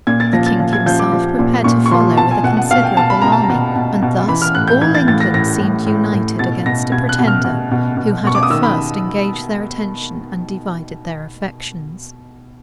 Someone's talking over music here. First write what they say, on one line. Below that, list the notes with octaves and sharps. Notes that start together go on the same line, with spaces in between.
The king himself prepared to follow with a considerable army; and thus all England seemed united against a pretender who had at first engaged their attention and divided their affections.
A#2 G#6
A6
F3 A#6
A6
F3
G#6
F3 G6
D6
F3
A#2
A#2 C#6
C#6
F3 C6
B2 A5
G#5
B2 F#5
F#5
B2 F5
G5
B2 A5
B5
B2 A#5
A5
A#5
B2
B2
B2
E3 B5
F6
A2 F#6
G6
E3 G#6
A6
A2 A6
A#6
A2 A#6
A2
A2
A2
B2 A6
B2 A#6
B2 G#6
F#6
B2
F6
B2
B2
B2
B2 C#6
D6
D#6
D#3 E6
B5